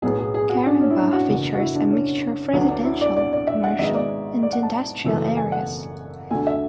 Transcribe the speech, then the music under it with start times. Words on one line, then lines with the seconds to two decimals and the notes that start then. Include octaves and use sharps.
Caringbah features a mixture of residential, commercial and industrial areas.
0.02 B1 A2 F#3 B3 G#4
0.19 G#4
0.34 G#4
0.50 F#4
0.66 D4
0.81 C#4
0.90 E4
0.97 D4
1.13 F#4
1.29 F#1 E2 D3
1.55 F#4
1.60 E4
1.75 D4
1.90 C#4
2.53 D2 D3 F#3 B3 D4
2.69 D4
2.85 E4
3.01 D5
3.17 D5
3.33 D5
3.47 E5
3.64 F#5
3.79 G#1 G#2 G#3 B3 E5
3.95 D5
4.43 D5
4.53 F#5
4.63 A5
5.05 F#1 F#2 E3 A3
5.36 G#5
5.52 F#5
6.31 D2 D3 A3 G#5
6.47 E5